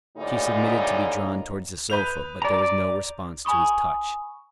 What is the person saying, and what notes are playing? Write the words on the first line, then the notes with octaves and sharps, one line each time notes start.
She submitted to be drawn towards the sofa, but there was no response to his touch.
D2 A2 A#3 D#4 G#4 D5
B4 G6 F7
D5 A#5
G#5 B5 C#6 D#6